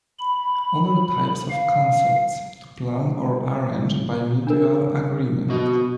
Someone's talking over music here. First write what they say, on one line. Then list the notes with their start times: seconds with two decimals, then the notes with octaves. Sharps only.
Other Types of concerts, To plan or arrange by mutual agreement.
0.19 B5
1.50 F5
4.47 D4 A#4
5.49 B2 F#4 D#5